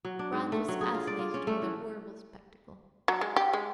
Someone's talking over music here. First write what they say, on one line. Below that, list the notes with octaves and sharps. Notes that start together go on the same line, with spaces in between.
Franz was fascinated by the horrible spectacle.
F#3
D4
G#2
A3
F#3
G#4
F4
D5
F4
C#4
A3
E3
F#3
G#3
G4
G#3